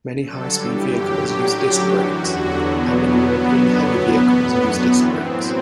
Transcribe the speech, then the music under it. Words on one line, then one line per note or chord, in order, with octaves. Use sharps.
Many high-speed vehicles use disc brakes, and many European heavy vehicles use disc brakes.
G2 D3 F#3 A4
G2 E3 G4
F#2 D3 F#3 G4
A2 F#3 G4
F#2 D3 F#3
F#2 E3 F#4
E2 D3 F#3
E2 D3 F#3 B3
E2 B2 F#3 B3
G2 F#3
F#2 D3 F#3
E2 B2 F#3 B3
A2 E3
F#2 D3 F#3
F#2 E3 C4
A2 F#3 C4